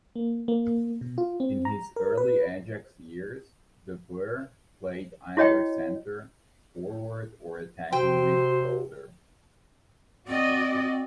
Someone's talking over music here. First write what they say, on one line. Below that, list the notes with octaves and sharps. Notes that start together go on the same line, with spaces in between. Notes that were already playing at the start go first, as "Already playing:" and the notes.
In his early Ajax years, De Boer played either centre forward or attacking midfielder.
A#3
A#3
B2
F4
C4
A#5
A#4
B4
E4 F#4 C#5 D#5 G5
C3 F#4 C5 G5
C4 F#4 D5 D#5